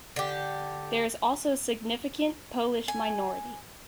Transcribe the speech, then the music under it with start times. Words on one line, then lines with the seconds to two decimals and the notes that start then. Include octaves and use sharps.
There is also a significant Polish minority.
0.16 D3 G4
2.88 G#5